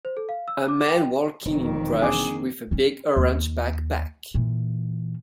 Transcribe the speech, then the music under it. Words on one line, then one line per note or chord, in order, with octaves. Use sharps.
A man walking in brush with a big orange backpack.
C5
A4
F5
E6
D6
D6
G5
E1 F2 D#3
A#3 C4 D4 G#4 D6
C4 C#4
D#2
A#2 E3